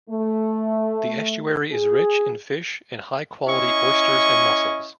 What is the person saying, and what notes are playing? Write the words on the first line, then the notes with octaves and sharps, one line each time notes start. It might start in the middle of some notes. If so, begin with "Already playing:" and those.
The estuary is rich in fish, and high quality oysters and mussels.
A3
G#4
C#4 E4 D#5 C#6